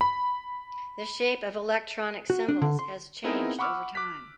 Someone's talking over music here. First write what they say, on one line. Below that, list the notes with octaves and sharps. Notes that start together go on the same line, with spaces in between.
The shape of electronic symbols have changed over time.
B5
F#4
D4
D3
C6
B3 C4 D#4 E4 G#4 A#4
F#5 B5 C#6 D6 E6 F6
D6 F#6 B6